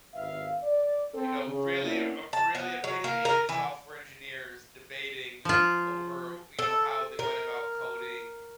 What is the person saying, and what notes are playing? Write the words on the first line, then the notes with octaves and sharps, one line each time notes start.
you know, really op really opinionated software engineers debating over, you know, how they went about coding
G#1 G2 B4 E5 F5
D5
C4 A4
C#3
A#3 B3 C#4 D4 E4
A5
B3
F#3
A#3
A#4
E3
F3 F4
A4
A#4